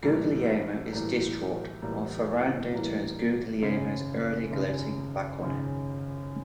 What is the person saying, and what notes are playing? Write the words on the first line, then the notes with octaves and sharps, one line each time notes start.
Guglielmo is distraught while Ferrando turns Guglielmo's earlier gloating back on him.
A2 E3 G3 A#3
A2 E3 G3 A#3
A2 E3 G3 A#3
A2 E3 G3 A#3
G#1 F#2 C#3
G#1 F#2 C#3
G#1 F#2 C#3